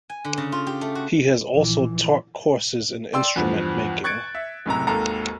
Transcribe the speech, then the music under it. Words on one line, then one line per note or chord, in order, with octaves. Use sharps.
He has also taught courses in instrument making.
G#5
D3
C#3
F4
G4
A3
F#4
A#1 E3
D5 G5 C6 E6
E2 G2 F3
C#6 F#6 G#6 A6 C#7 D7
E5
F#1 A2 C3 A#5
G#1 D#2 A4 A#5